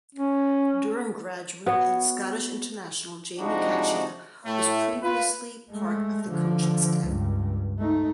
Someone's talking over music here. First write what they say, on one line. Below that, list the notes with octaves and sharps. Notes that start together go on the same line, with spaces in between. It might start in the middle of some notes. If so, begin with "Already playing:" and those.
Durham graduate and Scottish international Jamie Cachia was previously part of the coaching staff.
C#4
B3 F#4 C#5
C3 F3 G#3 D4 D#4 F#4
A2 A3
F4 B4
G#3 A3
D3 F3
C#2 G2
A3 D#4